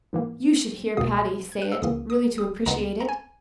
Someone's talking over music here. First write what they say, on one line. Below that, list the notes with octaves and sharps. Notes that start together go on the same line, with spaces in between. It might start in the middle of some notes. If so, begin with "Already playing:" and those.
You should hear Patty say it really to appreciate it.
G#2 E3 A#3
C#2 B2 A#3 D#6
G#6
F#6
E6
C#2 C#3 E3 A#3 D#6
D#6
D#6
C#2 C#3 G#3 B3 A#5
A#5
G#5